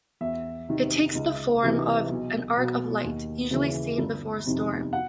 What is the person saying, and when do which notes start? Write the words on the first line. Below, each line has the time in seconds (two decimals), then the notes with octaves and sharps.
It takes the form of an arc of light, usually seen before a storm.
0.21 E2 E5
0.69 C3 D#3
1.15 C#2
1.62 C3 E3
2.09 B1
2.57 B2
3.04 D#2
3.51 C#3 E3
3.98 G1
4.45 F2 C3 D#3
4.93 F#5